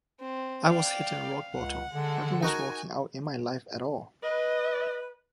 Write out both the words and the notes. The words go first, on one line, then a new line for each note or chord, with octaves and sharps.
I was hitting rock bottom, nothing was working out in my life at all.
C4
D5 F5 G5
C#2 F#5
D3 G#3 A4
D#4 F#4 A#4 G#5
B4 D#5